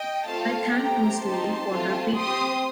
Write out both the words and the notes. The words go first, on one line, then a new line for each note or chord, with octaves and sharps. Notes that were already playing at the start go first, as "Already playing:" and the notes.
I thank Ms. Lei for her briefing.
Already playing: D#5 G5
A3 C4 F4 A4 F5 A5
A3 C4 G4 G5 A#5
C4 D#4 G4 A5 C6
A3 C4 F4
C4 G4 C6 D#6